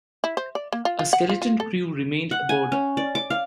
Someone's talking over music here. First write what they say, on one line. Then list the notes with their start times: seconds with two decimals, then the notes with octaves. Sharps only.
A skeleton crew remained aboard.
0.24 E4
0.37 C5
0.55 D5
0.73 A#3
0.85 F4
0.99 F4
1.13 F#5
1.29 F4
1.42 F4
1.60 A4
2.31 F#5
2.49 G#5
2.72 C#4
2.97 D5
3.15 D6
3.30 F5